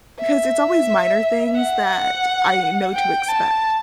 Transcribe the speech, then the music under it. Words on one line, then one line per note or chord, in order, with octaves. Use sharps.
'Cause it's always minor things that I know to expect.
E5
F#5
G5
A5